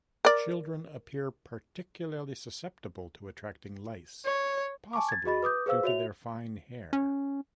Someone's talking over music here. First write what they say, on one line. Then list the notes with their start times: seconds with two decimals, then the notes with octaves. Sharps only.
Children appear particularly susceptible to attracting lice, possibly due to their fine hair.
0.25 A#4 D5
4.25 C#5
4.93 G#5 A5 C#6 D6
5.09 G#6 A6
5.25 F#4 G#4 D#5 B5 A6
5.43 B4 D6 D#6 G6
5.66 G#4 B4 C5 F5 E6
5.84 F#4 C#5 E5 F7
6.93 C#4